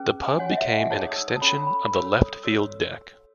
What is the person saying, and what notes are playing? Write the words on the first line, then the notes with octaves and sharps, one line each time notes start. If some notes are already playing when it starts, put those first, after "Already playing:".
The pub became an extension of the left field deck.
Already playing: C#4 G#4 B4
G#5
F#4 C#5 F#5
D#5
E5
F#5
G#5
D#4 G#4 C#5 A5
D#6
E6
D#6
A5
C#4 F#4 A4 C#5 B5
B5
F#4 A4 C#5 E6
D#6
F#4 A4 C#5 E6